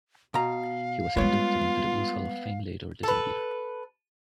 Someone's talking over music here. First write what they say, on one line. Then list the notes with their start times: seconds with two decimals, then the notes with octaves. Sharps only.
He was inducted into the Blues Hall of Fame later the same year.
0.34 B2 F5 A#5
1.17 G3 G#3 B3 F4 C#5
3.03 A4 B4